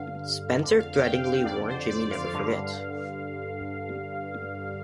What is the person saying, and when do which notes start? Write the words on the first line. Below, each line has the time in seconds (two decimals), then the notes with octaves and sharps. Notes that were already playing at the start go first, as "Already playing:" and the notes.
Spencer threateningly warned Jimmy never forgets.
Already playing: G2 D3 F5
0.58 F2 D3
0.79 F5
0.95 F5
1.01 G5
1.24 F5
1.45 F2 D3 D5
1.68 C5
1.89 D5
2.11 F5
2.33 G2 D3